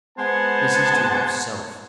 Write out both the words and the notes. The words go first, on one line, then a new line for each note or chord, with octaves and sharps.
This is to love self.
G#3 B3 C5 F#5 G#5 A5